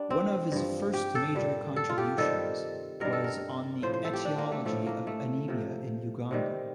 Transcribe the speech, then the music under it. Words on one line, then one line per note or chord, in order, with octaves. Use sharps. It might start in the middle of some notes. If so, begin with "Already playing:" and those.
One of his first major contributions was on the etiology of anaemia in Uganda.
Already playing: G3 D4
C4
G2 F3
G4
A4
A#2 G3
A4
F4
G4
C3 D#3 G3 A4
G2 D#3 G3 A#4
A4
A#4
A2 F3 C5
C5
A4
G4
D4
A#3
A3
A2 F3 A3
A#3
A3
C3 F3
C3 D#3 G3